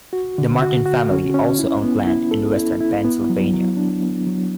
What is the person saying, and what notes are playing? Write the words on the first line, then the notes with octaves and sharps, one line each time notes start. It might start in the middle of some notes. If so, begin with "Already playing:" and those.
The Martin family also owned land in western Pennsylvania.
F#4
D3
F#4
F#4
C#4
C#4
E4
B3
E4
A4
E4
E4
B3
F#3
F#3
D4
B3
F#3